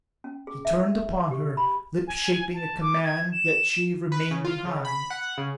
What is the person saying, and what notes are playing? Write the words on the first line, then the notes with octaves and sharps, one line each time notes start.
He turned upon her, lips shaping a command that she remain behind.
C#4
G#4
E5
G4
B5
G#5
A5
D6
G#6
E7
B4
C#3
F4
C#3
B5
F#5
C#3